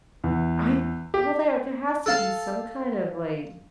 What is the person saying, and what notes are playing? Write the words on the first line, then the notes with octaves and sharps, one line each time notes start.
I well there there has to be some kind of, like
E2
G4
A4 F5 A5